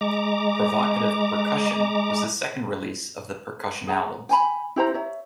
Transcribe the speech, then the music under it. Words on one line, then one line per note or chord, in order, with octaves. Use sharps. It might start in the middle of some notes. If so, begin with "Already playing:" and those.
"Provocative Percussion" was the second release of the "Percussion" albums.
G#3 A#5 D6
G#4 F#5 A#5
G5 G#5 B5
E4 G4 C5 A#5
C#5 E5